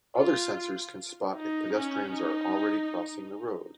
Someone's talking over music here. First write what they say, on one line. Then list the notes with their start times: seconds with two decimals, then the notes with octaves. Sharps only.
Other sensors can spot if pedestrians are already crossing the road.
0.17 F4
1.34 D#4
1.73 C#4
2.12 D#4